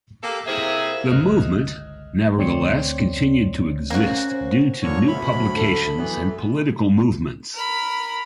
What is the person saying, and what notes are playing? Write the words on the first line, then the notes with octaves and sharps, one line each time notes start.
The movement nevertheless continued to exist due to new publications and political movements.
A#3 G4 A4
C3 A#3 E4 G#4 C5 E5
G1 C#2 D#5 F6 F#6
D2 C4 C#5 D5 C6 C#7
A#3 C#4 F#4 C5
A#2 D3 C#5
D2 C3 B3 B5
F#3 C4
A3 A4
E3 F#3 B3
A#4 B5